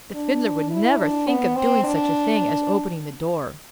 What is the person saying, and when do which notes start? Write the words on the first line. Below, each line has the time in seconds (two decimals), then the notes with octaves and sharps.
The Fiddler would never think of doing such a thing as opening the door.
0.15 D4
0.70 E4
0.99 D4
1.27 B3
1.55 C4
1.84 D4